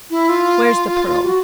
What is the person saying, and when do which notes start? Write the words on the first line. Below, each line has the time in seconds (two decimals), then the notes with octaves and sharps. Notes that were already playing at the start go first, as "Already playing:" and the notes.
Where's the Pearl?
0.10 E4
0.29 F4
1.24 G4
1.27 F#4